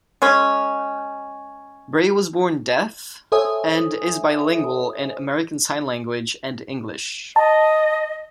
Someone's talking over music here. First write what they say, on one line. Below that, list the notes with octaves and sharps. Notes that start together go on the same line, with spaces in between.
Bray was born deaf and is bilingual in American Sign Language and English.
G#3 C#4
A4 C5 C#5 E5 G#5 D#6
D#5 A5